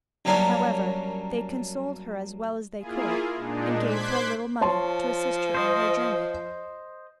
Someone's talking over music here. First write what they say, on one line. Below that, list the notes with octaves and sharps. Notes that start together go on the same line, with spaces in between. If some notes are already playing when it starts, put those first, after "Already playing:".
However, they consoled her as well as they could, and gave her a little money to assist her on her journey.
F#2 F#3 G3 A#3 C#4 D4
A#3 E4 F4 G#4
A#2 G#3 D4 D#4
C5 C6 D6 F#6 G#6 B6
F3 C#5 A5 C6
C5 D#5